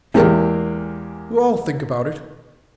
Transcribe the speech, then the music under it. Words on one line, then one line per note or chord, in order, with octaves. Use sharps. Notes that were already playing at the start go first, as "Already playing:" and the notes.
HIM: I'll think about it.
E2 G#3 A#3 G4 A#4